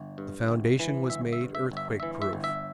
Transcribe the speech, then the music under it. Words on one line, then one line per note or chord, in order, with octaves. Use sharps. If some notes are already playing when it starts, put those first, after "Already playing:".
The foundation was made earthquake-proof.
Already playing: G1
G2
G1
E3
G1 E5
E5
G2
E5
G1
E5
E3 E5
E5
G1
E5